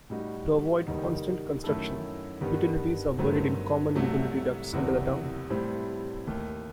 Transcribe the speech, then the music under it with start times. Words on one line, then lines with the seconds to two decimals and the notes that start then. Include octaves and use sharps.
To avoid constant construction, utilities are buried in common utility ducts under the town.
0.10 A2 G3 D#4 F#4
0.87 F#1 E2 D#3 G3 D#4
1.64 F#2 D#3 A3 E4 A4
2.41 G2 D#3 G3 B3
3.18 G2 D#3 F#3 A3 C4
3.95 C2 C3 F#3 A3
4.73 F#1 E2 C3
5.50 A2 G3 C4 E4
6.27 D#2 D#3 A3